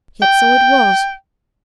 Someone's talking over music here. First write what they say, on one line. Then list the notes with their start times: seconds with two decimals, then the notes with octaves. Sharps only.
Yet so it was.
0.22 G5